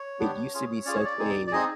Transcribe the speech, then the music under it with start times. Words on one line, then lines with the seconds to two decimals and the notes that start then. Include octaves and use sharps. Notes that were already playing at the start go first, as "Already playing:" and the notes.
it used to be such a
Already playing: C#5
0.19 B3 D4 G4
0.53 C#4 F4 G#4
0.85 C#4 F4 G#4 D5
0.96 C#5
1.05 D5
1.19 C4 D#4 G#4
1.47 D5
1.52 C4 D#4 G#4 D#5